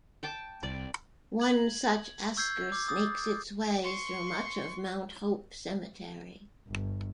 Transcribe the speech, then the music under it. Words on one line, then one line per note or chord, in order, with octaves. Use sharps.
One such esker snakes its way through much of Mount Hope Cemetery.
G5 A5 D6
C2 D5
G#6 F#7
C#6 E6 G6 G#6 C7
D6 E6
D#6 A6
C6 C#6
G1